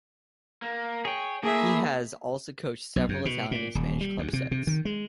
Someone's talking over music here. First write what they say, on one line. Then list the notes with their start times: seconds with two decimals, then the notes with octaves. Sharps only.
He has also coached several Italian and Spanish club sides.
0.62 A#3
1.05 G#4 C#5 G5
1.43 A2 A#3 G#4 E5
2.96 B1
3.09 F#2
3.25 B2
3.51 A#2
3.75 D#1
4.01 G3
4.18 D2
4.33 C3
4.51 C3
4.67 D#3
4.85 G#3